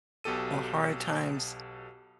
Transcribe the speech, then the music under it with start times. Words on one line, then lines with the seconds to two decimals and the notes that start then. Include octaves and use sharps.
or hard times
0.24 B1 B2 G4 A4 D#7